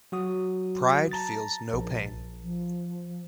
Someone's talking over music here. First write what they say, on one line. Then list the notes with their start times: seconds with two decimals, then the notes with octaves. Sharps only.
Pride feels no pain.
0.12 F#3 F#4 D#6
1.12 A5 A#5 A6
1.73 A#1
2.41 F3